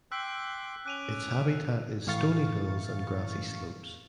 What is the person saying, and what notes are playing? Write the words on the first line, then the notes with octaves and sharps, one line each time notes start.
Its habitat is stony hills and grassy slopes.
G5 C6 D6 E6 F#6 B6
C#4 D6 F#6 D#7 F7
A2 E3 F5 C#6 A6